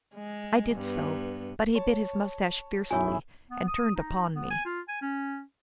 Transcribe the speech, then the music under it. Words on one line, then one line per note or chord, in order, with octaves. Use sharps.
I did so, but he bit his moustache fiercely, and turned upon me.
G#3
G2 B3
C#5 A5
B1 F#2 F#3 E4 G#4 C#5 G#5
B3
D#6
D#4
B3
G#5
F4
G#5
C#4